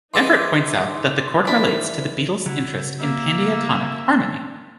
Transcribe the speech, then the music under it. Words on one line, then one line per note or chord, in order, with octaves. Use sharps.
Everett points out that the chord relates to the Beatles' interest in pandiatonic harmony.
E3 D#4 G#4 D#5 C6 D6 E6
D#3 E3 D4 E4 C5 D5 B5
C#3 F#3 E4
A#3 E5